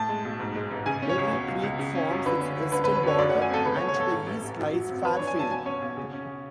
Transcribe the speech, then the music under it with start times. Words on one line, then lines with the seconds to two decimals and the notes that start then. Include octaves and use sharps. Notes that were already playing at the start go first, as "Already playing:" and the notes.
Merri Creek forms its western border, and to the east lies Fairfield.
Already playing: A2 A5
0.09 G#3
0.25 B1
0.40 G#2
0.56 G#3
0.71 A1
0.86 C#3 G#5
1.02 C#4
1.09 C#5
1.18 C#2
1.33 B2
1.48 C#2
1.63 C#2
1.79 C#3
1.95 C#4
2.11 F#2
2.25 D3 B4
2.41 C#4
2.56 D2
2.72 D3 B4
2.84 B4
2.88 C#4
2.95 B4
3.03 F#2 C#5
3.18 F#2 D5
3.30 F#5
3.34 A3
3.42 G#5
3.50 G#1 A4
3.65 C#3 B4
3.76 C#5
3.81 E2
3.88 C#5
3.96 E2 A4
4.11 G#2
4.26 A1
4.43 A1
4.58 F#2
4.73 F#3
4.89 G#1
5.05 E3 B4
5.16 C#5
5.19 D4
5.27 G#5
5.35 F#2 A5
5.51 B2 G#5
5.66 C#4 C#5
5.82 B1
5.97 C#3
6.13 C#4